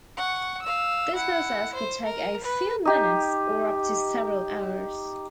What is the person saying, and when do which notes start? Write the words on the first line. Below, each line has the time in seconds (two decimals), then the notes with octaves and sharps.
This process could take a few minutes or up to several hours.
0.17 F#5 C#6
0.62 F5 E6
1.15 E4 F#5
1.74 C5
2.05 A#4
2.44 B4
2.85 D#4 G4